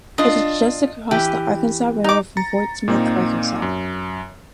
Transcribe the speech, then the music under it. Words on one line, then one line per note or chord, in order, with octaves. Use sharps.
It is just across the Arkansas River from Fort Smith, Arkansas.
D4 F4 D#5
E3 G4
D#4 D6
A#5 A6 C#7
A#2 A#3 C4 D#4
F#2